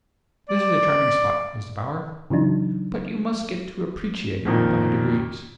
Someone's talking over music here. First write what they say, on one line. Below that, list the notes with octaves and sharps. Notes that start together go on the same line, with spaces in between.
This is a charming spot, is the Bower, but you must get to apprechiate it by degrees.
D5
C#3 E3 F#3 D4 D#4
F2 A#2 D#3